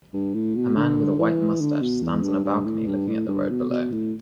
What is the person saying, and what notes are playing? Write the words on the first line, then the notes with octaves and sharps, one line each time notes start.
A man with a white mustache stands on a balcony looking at the road below.
G2
A2
B2
D3
E3
D3
B2
E2
G2
G2
A2
G2
A2
G2
B2
B2
A2